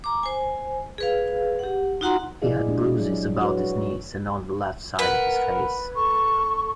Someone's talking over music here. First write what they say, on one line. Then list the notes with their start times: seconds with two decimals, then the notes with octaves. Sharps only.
He had bruises about his knees and on the left side of his face.
0.04 A#5 D6
0.23 C5 G#5
0.98 G#4 B4 F5
1.59 G4 F#5
2.01 D#4 F4 F#4 F#5 A#5 C6
2.42 F3 E4 G#4 D5 D#5 F5
2.68 A#2 G#3 D4 G4
2.97 F#3 G#4 D5
3.41 F#4 B4 C#5
4.99 A#4 B4 F#5
5.96 A4 C#6